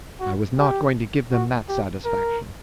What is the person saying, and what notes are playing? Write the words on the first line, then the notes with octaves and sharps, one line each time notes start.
I was not going to give them that satisfaction.
F#4
G4
F#4
G4
A#4